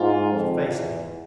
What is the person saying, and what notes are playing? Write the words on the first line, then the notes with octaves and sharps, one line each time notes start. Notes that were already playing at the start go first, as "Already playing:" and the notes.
She faced me.
Already playing: G#2 F4
F2
E2